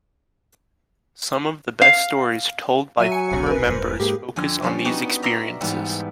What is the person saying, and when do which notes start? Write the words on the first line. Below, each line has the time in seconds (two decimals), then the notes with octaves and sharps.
Some of the best stories told by former members focus on these experiences.
1.82 F5
2.98 F#3 E5 G#5 D#7
3.12 G#5 C#7
3.31 D#1 B1
3.46 A#4 B4
3.67 E1 G2 C5
4.00 G#2 A#3 G4 G#4
4.36 F2 D3 G#5
4.62 F3 G3 C#4
4.85 B3 D#4 F#4 G4
5.22 A#4 D5 E5 A#5 C6
5.61 G#2 E3 G3 B3